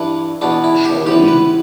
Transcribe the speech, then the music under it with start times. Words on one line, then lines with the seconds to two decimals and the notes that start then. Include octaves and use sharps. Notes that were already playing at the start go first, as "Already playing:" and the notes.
Shall We?
Already playing: G2 E3 D4
0.41 E2 B2 D4
0.64 E4
0.85 G4
1.06 E2 C3 E3 G4
1.28 B4